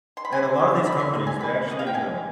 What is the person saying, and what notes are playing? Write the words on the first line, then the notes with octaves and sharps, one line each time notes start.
and a lot of these companies, they actually, um,
C6
B5
C4 G#5
G#3
B2 B5
C6
D#4
G#5
C4 B5
G#3 D#5
F5
G5
B2 G#5